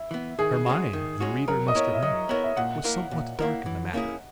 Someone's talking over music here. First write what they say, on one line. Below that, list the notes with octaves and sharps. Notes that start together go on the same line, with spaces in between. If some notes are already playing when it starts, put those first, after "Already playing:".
Her mind, the reader must remember, was somewhat dark in the matter.
Already playing: E4
E3 B3
D#3 G#4
G#3 C#4 F#4
D#3
G#3 C#4 F#4
F#3 A#4
D#5
B3 E4 A#4 C#5
E5
F#3 D#5
B3 E4 A#4 C#5
E5
A#2 F#5
A#3 E4 A#4
A#2
A#3 E4 A#4
E3
A#3 C#4 E4 G#4